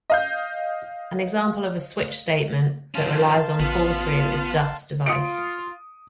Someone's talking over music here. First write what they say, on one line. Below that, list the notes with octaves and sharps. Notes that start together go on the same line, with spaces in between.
An example of a switch statement that relies on fallthrough is Duff's device.
D#5 F5 G6
F3 C#4 F5 A5 C6
A1 B3 F4
F4 D#6 C#7 D7